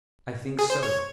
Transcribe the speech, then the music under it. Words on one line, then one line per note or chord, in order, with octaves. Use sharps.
"I think so."
G#4
C5
C#5